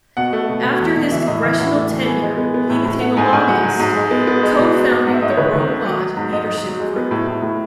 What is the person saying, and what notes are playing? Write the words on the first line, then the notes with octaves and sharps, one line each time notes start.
After his congressional tenure, he became a lobbyist, co-founding the Breaux-Lott Leadership Group.
B2 F#5
A3
B2
B2
E2
B2
E3 E5
A2 D#5
E3 E5
A2 F#5
A3
E3
B3 G#5
G#3
B3
B3
A2
A2
A3 F#5
G#2 G#5
G#2 G#5
F#3 F#5
F#3
G#2
G#3
B3
B3
G#3
B2
B2
G#2
G#2 F#5
E5
G#2 D#5
C#5
D#3 B4
D#3
A3
F#3
F#3
G#2
G#2 D#5
F#3
F#3
G#3
B3
A2
A2
A2